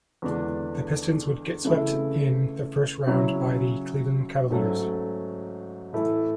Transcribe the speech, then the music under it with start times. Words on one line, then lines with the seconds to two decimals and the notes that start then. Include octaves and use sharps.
The Pistons would get swept in the first round by the Cleveland Cavaliers.
0.22 E2 D3 G#3 D4
1.65 C#3 E3 A3 E4
3.07 C#3 F#3 C#4 E4
4.50 G#2 F#3 A3 C#4
5.93 A2 E3 A3 E4